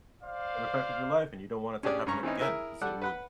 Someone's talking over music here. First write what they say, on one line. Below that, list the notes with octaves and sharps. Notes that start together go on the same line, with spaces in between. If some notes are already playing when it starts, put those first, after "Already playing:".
It affected your life, and you don't want it to happen again 'cause it would
C5 D5 F5
C#4 D4 G4 G#4 D5
G2 C#4 A#5 C#6
E3 C4 C#4 D#4
E4 G#4 A#4 E5
G3 A4 D5 F#5
B4 F#5 B5